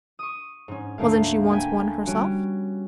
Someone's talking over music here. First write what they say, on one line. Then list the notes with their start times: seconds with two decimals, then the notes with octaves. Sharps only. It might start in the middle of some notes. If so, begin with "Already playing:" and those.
Wasn't she once one herself?
0.19 C#6 D#6
0.68 G#2 C#4
0.98 D2 G#2 A3 A#3 F5
1.51 A#4 G5 G#5 B5
2.06 G3 C#4 F#4 D7